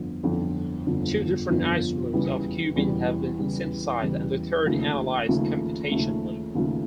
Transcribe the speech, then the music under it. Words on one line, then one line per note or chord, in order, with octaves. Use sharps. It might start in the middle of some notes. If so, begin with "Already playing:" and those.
Two different isomers of cubene have been synthesized, and a third analyzed computationally.
Already playing: G1 F2 D3 F3
G1 F2 D3 F3
G1 F2 D3 F3
G1 F2 D3 F3
E2 C#3 E3 G3
E2 C#3 E3 G3
E2 C#3 E3 G3
E2 C#3 E3 G3
D#2 C#3 F3 A3
D#2 C#3 F3 A3
D#2 C#3 F3 A3
D#2 C#3 F3 A3